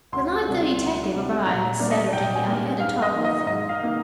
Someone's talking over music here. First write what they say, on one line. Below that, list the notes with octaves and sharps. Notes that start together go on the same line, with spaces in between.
The night the detective arrived, Saturday, I had a talk with him.
D2 C6
C3 G3 D4
D2
C3 G3 D4
A#2 A#5
G3 A#3 D4 D5
D#5
A#2 G5
G#5
G3 A#3 D4
G5
G#2 F5
D#5
D#3 A#3
D#5
G#2 D#5
F5
D#3 A#3